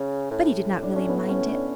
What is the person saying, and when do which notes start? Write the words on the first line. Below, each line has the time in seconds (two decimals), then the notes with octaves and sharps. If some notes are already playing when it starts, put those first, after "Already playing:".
But he did not really mind it.
Already playing: C#3 C#4
0.31 A2
0.83 D4
0.96 C#4
1.09 B3
1.29 C#4
1.48 D4